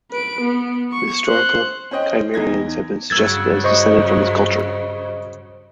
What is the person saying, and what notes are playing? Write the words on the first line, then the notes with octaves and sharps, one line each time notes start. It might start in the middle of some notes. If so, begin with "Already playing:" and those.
The historical Cimmerians have been suggested as descended from this culture.
B4 D7
B3
C#6
C5 F#6
C#4 C5 D#5 G5
E2 D#4 G#6 A#6
G2 C#3 F#3 E6 G#6 A6
C5 D#5 C#6